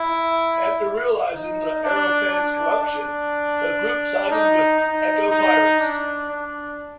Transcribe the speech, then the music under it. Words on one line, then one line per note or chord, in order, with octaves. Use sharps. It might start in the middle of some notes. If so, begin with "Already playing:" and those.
After realizing the Aeropan's corruption, the group sided with the Eco Pirates.
Already playing: E4
D#4
D4
D4
D4
D#4
D#4
D#4
D4
D4